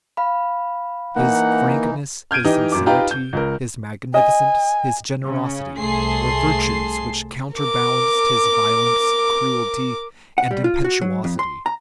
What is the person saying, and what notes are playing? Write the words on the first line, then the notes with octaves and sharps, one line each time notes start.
His frankness, his sincerity, his magnificence, his generosity, were virtues which counterbalanced his violence, cruelty, and impetuosity.
F5 B5
E3 A#3 D#4 F#5
F6 G6 G#6 D7 D#7
E3 D#4 G4
F#2 D6
D#4 F4 G4 B4 G5 A#5
G6
C#2 A#4
D#5 G#5
C#3
C2 A3 G#4 A5 C6 C7
A#4 D6
F#5
G3
F4
F#4
F#3
F2
C6
A#5